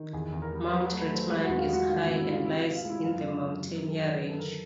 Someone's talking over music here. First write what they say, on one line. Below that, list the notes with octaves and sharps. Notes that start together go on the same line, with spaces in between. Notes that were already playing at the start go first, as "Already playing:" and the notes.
Mount Rittmann is high and lies in the Mountaineer Range.
Already playing: D#3
E2 G#4
E2
A#4
G3
F#3 B4
B4
A3
B4
A3
C5
G#3 B4
F#4
E2
F4
G#3 F#4
D#3 F4
F#4
G#2
E4
G3
F4
C3 E4
F4
C3
F4
G#3 E4
F#2 F4
C#3
F#2
F#2 G4
A#4
F#2
A4
D#3 B4
F#2 B4
A4
D3 A#4